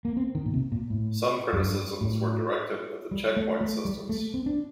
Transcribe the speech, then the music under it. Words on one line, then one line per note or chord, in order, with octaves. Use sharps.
Some criticisms were directed at the checkpoint systems.
A#3
C4
D#3
A#2
C3
A#2
A2
F#2
G2
A2
G3
A3
A3
G3
A3
C4
D4